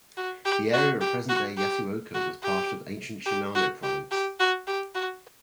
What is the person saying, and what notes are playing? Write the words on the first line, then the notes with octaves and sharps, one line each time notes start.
The area of present-day Yasuoka was part of ancient Shinano Province.
F#4
G4
F#4
G4
F#4
G4
F#4
G4
G4
F#4
G4
G4
F#4
G4
F#4